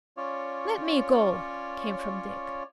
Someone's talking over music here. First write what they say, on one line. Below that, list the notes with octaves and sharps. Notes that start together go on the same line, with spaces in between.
"Let me go!" came from Dick.
C#4 F4 C#5 D5